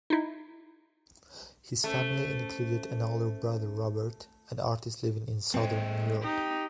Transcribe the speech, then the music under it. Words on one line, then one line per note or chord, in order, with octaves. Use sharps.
His family included an older brother Robert, an artist living in southern New York.
D#4 E4
A3 C#4 A4 C5
G#3 C4 A4
D#4 G4